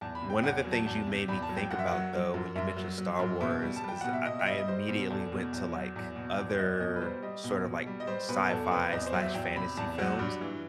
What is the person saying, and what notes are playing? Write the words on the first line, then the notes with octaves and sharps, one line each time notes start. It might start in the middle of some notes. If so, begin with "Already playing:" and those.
One of the things you made me think about, though, when you mentioned Star Wars is I I immediately went to, like, other sort of, like, sci-fi/fantasy films,
E2 A5
B5
C3
G5
E2 F#5
F#3
A5
E2 A5
C3
E2 B5
A5
F#3
G5
F#2 F#5
E5
F#3 F#5
F#3
F#2
F#2 E5
F#3
F#3
F#2
B2 E5
G3
A5
G3
G5
B2 F#5
E5
B2 D#5
E5
G3 D#5
D#5
G3 C5
B2
E2 A4
B2
E2
F#3
E2
B2
E2
F#3 D#5
B2 D#5
B4
G3 C5
G3 D#5
B2
B2
G3
D#5
G3 C5
B2 B4
E2 A4
C3 B4
E2 D#5
C5
F#3
E5
E2 G5
C3 B5
E2 A5
F#3 F#5
G2
E3